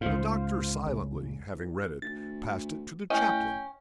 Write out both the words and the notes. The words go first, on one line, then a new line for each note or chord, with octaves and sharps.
The doctor silently, having read it, passed it to the chaplain.
C#2 G#2 F4 C5 F5
A1 C#3
E2
D2 A6
A2 C#4 D#5 G5